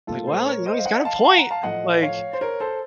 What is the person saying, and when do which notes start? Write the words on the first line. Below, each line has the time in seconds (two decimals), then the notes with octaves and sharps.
like, "well, you know, he's got a point, like"
0.07 A#2 A3 F4 A4
0.27 A4 C5
0.46 A#4 C#5
0.66 C5 D#5
0.78 F5
0.85 D#5 F#5
1.05 F5 A5
1.24 F5 A5
1.37 F#5 A#5
1.51 F5 A5
1.63 A2 F3 A3 D#5 F#5
2.02 C#5 F5
2.33 C5
2.41 A#4 C#5
2.60 A4 C5